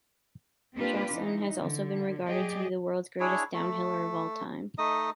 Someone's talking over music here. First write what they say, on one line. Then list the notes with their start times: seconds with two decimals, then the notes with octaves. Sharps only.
Chausson has also been regarded to be the world's greatest downhiller of all time.
0.75 A#3 C4 D4 F4 G4 B4
1.13 E3 D#4
1.59 D3
2.27 F#3 G4 G#4 D5 D#5
3.20 D4 E4 G#4 C#5
3.53 A3
4.78 A3 D#4 D#5 D#6